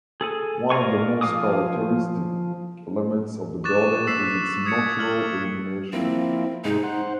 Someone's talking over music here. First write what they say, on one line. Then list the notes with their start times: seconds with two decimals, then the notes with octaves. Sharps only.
One of the most characteristic elements of the building is its nocturnal illumination.
0.21 G#4 A4 G#5
0.70 A#4 D5 F5 G#5 C#6
1.21 F3 F5 G#5 D6 D#6
3.64 C#6 D6 F#6 A6 E7
4.07 E6 B6 C7 E7
4.65 D#6 G#6 B6 C#7
4.99 F6 F#7
5.93 F3 A#3 C4 E4
6.65 G#2 C3 G#3 D#4
6.83 C5 F#5